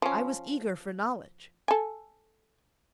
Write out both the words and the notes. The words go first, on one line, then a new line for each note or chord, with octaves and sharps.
I was eager for knowledge.
F3 C#4
A4 G#5